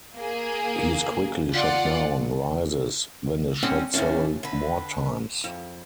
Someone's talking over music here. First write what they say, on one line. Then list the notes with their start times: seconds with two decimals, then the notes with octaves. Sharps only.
He is quickly shot down, rises, then is shot several more times.
0.16 A#3 G#4
1.53 F4 D5 F#5
3.63 D3 G3 C4 C#4 F#5
3.94 D#2 A2 C#3 C#4 D4
4.43 D3 B4
5.44 F2